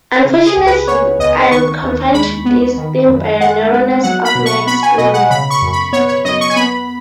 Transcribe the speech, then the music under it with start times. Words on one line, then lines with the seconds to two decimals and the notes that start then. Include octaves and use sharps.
Unfortunately, I am confined to this theme by the narrowness of my experience.
0.25 C#3
0.46 G#4
0.57 C#2
0.67 B4
0.88 B3 C#5
1.19 C#2 D#5
1.51 D#3 C#6
1.83 D#2
2.14 G#3 B5
2.45 B3
2.77 D#3
3.09 F#2
3.40 G#3 F#5
3.73 B3
4.03 F#3 F#5
4.25 B5
4.35 B2
4.46 C#6
4.67 B3 B5
4.83 G#5
4.98 B2 D#5
5.14 F#5
5.30 C#3 B5
5.50 C#6
5.62 F#2
5.73 B5
5.93 B3 C#5
6.08 C#5
6.25 F#2 D#5
6.41 C#6
6.50 G#5
6.56 B3 B5